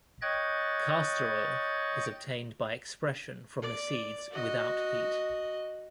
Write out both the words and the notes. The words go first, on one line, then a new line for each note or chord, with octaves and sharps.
Castor-oil is obtained by expression from the seeds without heat.
C#5 D#5 G5 F#6 G#6 A6
D5
F#4 D#5